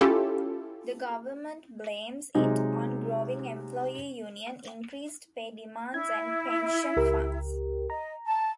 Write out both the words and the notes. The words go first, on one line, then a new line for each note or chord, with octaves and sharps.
The government blames it on growing employee union increased pay demands and pension funds.
C#4 E4 F4 G4 A4
C3 F#3 G#3 D#4
E4 G#6
C#2 G4 A#4
D#5 A#5
A5